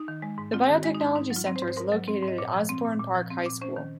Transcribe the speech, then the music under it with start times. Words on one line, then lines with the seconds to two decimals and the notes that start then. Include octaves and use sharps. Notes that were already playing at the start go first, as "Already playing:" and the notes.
The Biotechnology Center is located at Osbourn Park High School.
Already playing: D#4
0.08 D#3
0.22 G#3
0.38 G#2
0.53 C4 F4
0.66 G#4
0.69 D#3
0.74 F#4
0.84 G#3
0.95 D#4
1.00 G#2
1.15 G#2 D#4
1.30 F#3
1.36 F4
1.47 C4
1.56 C5
1.62 G#2
1.68 C5
1.77 G#2 A#4
1.92 F#3
2.08 C4
2.23 G#2
2.28 D#5
2.38 A#2 C#5
2.54 F3
2.69 C4
2.85 A#2
3.00 A#2
3.15 F3
3.31 C4
3.46 A#2
3.61 C#4 C5
3.76 D#3